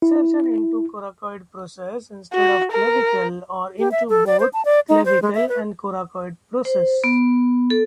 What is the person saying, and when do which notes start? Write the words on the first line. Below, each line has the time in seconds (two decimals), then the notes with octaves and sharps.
Insertion into coracoid process instead of clavicle or into both clavicle and coracoid process.
0.02 E4
2.33 F#4
2.72 A#4
3.79 G4
3.91 E5
4.10 A4
4.27 D5
4.40 C5
4.53 A5
4.65 D5
4.89 D#4
5.05 C5
5.22 G#3
5.35 E5
5.49 B4
6.65 C5
7.04 B3
7.70 A4